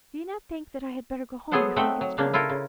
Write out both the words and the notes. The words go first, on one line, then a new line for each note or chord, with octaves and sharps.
"Do you not think that I had better go home before it gets dark?"
F#3 B3 G#4 A4 C5 F#5
A3 C4 D#4 E5 F#5 G5
F#3
C#3 A#3 D4
E4 F4 A4 A#4
C#3